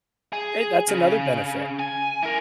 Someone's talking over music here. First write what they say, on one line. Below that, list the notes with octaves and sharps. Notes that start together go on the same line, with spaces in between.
Hey, that's another benefit.
G#4
C#3
G#5
E4 A#4